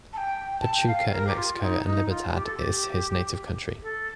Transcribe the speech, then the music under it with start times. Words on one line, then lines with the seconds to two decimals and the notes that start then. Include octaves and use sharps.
Pachuca in Mexico and Libertad in his native country.
0.13 A5
0.17 G5
0.60 A5
0.74 G5
0.88 F5
1.12 A#4
1.27 G4
1.36 F4
1.61 D#4
1.86 D#4
2.10 F4
2.35 G4
2.46 A4
2.57 G4
3.82 A4